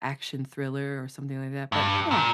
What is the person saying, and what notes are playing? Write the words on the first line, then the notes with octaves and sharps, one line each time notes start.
action thriller or something like that. But, oh.
G2
A#2